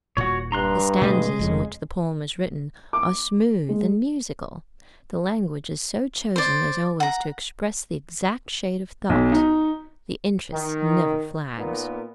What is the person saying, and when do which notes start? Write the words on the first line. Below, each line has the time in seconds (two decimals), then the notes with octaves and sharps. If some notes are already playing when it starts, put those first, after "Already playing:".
The stanzas in which the poem is written are smooth and musical, the language is so chosen as always to express the exact shade of thought, the interest never flags.
0.17 D#1 A#2 F#4 C#5
0.52 G2 A#5 C6 F#6
1.02 B2 G#3 A3 D#5
1.39 F1 F2 C#3
2.93 D6
3.69 G#3
6.36 C5 D5
7.00 F#5 A#5
9.10 B1
9.32 D#4
10.52 D#3
11.58 A#2 A#3 B3 D#4 A#4